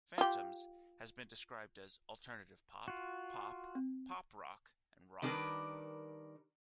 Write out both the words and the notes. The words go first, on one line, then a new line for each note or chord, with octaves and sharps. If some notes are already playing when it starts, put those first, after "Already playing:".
"Phantoms" has been described as alternative pop, pop, pop rock, and rock.
F4 G4
F4 F#4
C4
D#3 G3 D4 G4 A#4 B4